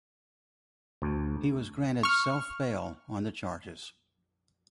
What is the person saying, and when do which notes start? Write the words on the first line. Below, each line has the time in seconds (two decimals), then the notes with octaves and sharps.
He was granted self bail on the charges.
1.02 D2
2.03 C#6 F6